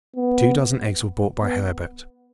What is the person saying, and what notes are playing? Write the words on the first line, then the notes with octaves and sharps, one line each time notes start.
Two dozen eggs were brought by Herbert.
B3
B3